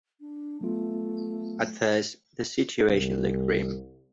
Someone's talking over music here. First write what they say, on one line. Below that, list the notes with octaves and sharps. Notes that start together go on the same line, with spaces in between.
At first the situation looked grim.
D4
F#3 A3 B3 F4
C2